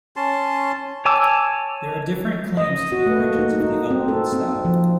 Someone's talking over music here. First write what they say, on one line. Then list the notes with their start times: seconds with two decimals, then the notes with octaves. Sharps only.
There are different claims to the origins of the ugg boot style.
0.16 C#4 A5 C6
1.05 C#5 G#5 A5 D6 E6
2.57 D#5
2.92 F#4
3.06 A3
3.20 A#3
3.39 D#4
3.61 D#4
3.91 C4
4.08 A4
4.33 C4
4.65 F3